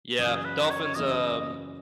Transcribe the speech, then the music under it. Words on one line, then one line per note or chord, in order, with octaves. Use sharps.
Yeah, dolphins, um
F#2 C#3 E3 G#4
B4
C#5
C#5
F#2 C#3 E3 D#5